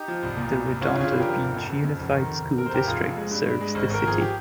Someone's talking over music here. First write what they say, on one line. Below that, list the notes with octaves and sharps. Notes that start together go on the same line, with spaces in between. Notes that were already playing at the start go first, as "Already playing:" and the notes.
The Redondo Beach Unified School District serves the city.
Already playing: D#4 G4
F3
C2
A#2
C2
C2
G1 C#4 F4
G1 F4 G#4
G2
F3 G4 A#4
F1
F2
C#3
F2
F1
D#3
F1
F1
C3 A#4
C5
F1 G4 A#4
F1 F4 G#4
F2
G#3
G2
G2
G#3
G#1
G#1 A#4
F3 G#4
G4